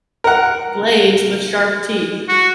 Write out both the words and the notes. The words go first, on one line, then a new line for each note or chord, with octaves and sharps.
Blades with sharp teeth.
A#4 F#5
F#4